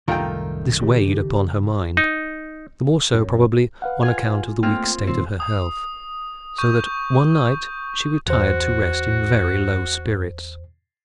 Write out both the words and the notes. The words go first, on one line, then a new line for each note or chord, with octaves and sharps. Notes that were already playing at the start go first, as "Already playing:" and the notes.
This weighed upon her mind, the more so probably on account of the weak state of her health; so that one night she retired to rest in very low spirits.
C2 F#2 A2 D#3 A3 F4 A#4 G5
C#3 G4
D#4
F#2
B4 F5 F#5
F4 G#5
A3 A#3 C4 F4 G5 F6
A#2 D#3 G3 C4
D#6
C#6 G6
E2 F#4 C5